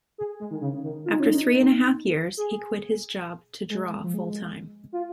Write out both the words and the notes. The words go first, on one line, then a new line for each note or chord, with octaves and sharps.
After three and a half years, he quit his job to draw full-time.
G#4
G#3
D#3
C#3
D#3
F4
D#4
C#4
D#4
G#4
G#3
F3
G#3
F4